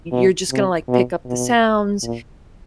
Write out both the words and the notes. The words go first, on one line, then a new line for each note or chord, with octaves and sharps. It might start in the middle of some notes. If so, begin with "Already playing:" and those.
you're just gonna, like, pick up the sounds,
B2
C3
B2
B2
A#2